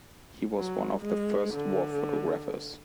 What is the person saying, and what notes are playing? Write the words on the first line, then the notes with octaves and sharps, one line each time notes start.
He was one of the first war photographers.
F#3
G#3
D3